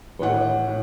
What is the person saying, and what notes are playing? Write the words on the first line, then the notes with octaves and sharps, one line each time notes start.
but, um
A2 F#5
A2